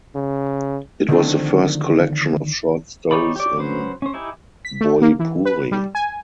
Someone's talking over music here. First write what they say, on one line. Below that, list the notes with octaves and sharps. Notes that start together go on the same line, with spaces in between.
It was the first collection of short stories in Bhojpuri.
C#3
D3 D#3 F3 A3 C4 D4
D#4 G4 C#5 D5 B5
G4 C#5 D5
F#3 C#4 B4 C5
C#4 C5
D#4 E4 G4 G#5
B6
A3
A#3
E3
B4
G3
G#5